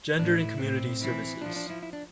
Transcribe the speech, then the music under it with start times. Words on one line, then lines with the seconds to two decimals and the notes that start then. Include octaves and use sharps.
Gender and Community Services.
0.19 A2 D4
0.39 E4
0.60 A2 C4
1.01 E3
1.42 F3 D4
1.56 D4
1.70 E4
1.83 E4
1.93 D4